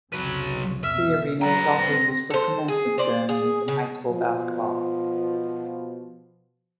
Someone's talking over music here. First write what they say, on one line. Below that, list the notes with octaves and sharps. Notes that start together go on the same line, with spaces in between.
The arena is also used for commencement ceremonies and high school basketball.
C2 F2 C#3 F#3 B4
F2 B2 E5 F6
F#3 B4 G5 A#5
D3 C4 A#6
A4 C5
G#4
C5 D5
G#4
C#3
B2 F3